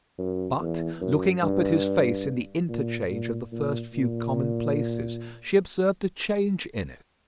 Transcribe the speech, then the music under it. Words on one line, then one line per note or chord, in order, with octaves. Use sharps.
But, looking up at his face in the interchange of the first few common-places, she observed a change in it.
F#2
E2
F#2
G2
A#2
A#2
A#2
A#2